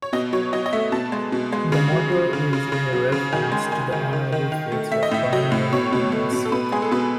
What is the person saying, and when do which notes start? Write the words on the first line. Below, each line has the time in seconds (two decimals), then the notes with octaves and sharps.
The motto is a reference to the honorable feats of Colonel Higgins.
0.02 C#5
0.13 B2 D#5
0.33 F#3 C#5
0.53 F#3 D#5
0.66 D#5
0.73 A3 E5
0.92 B2 A5
1.12 G#3
1.32 B2
1.53 G#3
1.72 C#3
1.92 F#3
2.12 F#3
2.33 C#3
2.53 C#3
2.72 C#3
2.93 F#3
3.12 C#3
3.32 D#3 G#5
3.52 G#3
3.72 G#3 G#5
3.92 D#3
4.13 D#3
4.32 D#3
4.52 D#3
4.72 A3
4.92 A3 E5
5.03 D#5
5.12 A2 E5
5.33 F#3 D#5
5.52 A2
5.73 B2 C#5
5.92 B2
6.12 A3
6.32 B2
6.45 A4
6.52 B2 B4
6.72 G#3 G#4
6.82 A4
6.91 B2 B4